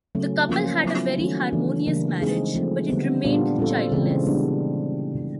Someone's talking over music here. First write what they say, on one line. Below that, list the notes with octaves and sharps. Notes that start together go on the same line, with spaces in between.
The couple had a very harmonious marriage, but it remained childless.
C#3 F#3 A3 C#4
F3 A#3 C#4 F4
F#3 B3 E4
D#3 F#3 A3 C#4 F#4
C#3 E3 A3 D4
C#3 E3 G3 A#3 D4
G#3 C4 D#4 G#4
F3 A3 C4
D3 G3 B3
A#2 G3 B3 D4 F4
A#2 G3 C4 F4 A4
C#3 E3 G#3 C4
G3 B3 D4